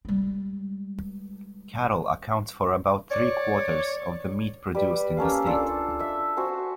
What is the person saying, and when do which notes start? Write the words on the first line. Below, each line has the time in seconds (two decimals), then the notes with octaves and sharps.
Cattle accounts for about three quarters of the meat produced in the state.
0.05 G3 G#3
3.10 C#5 D5
4.75 G3 B4
5.17 A#3 C#4 A4 F5
5.47 D4 F4 A4
6.00 E5
6.37 F#4 C5 G#5